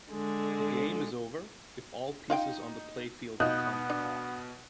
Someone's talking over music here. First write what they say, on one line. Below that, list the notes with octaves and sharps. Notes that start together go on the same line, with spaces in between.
The game is over if all pieces on the playfield become locked.
D3 G#3
D#4 F4 F5 G5
B2 B3 D#4 F4 D#6 F#6 G6
D4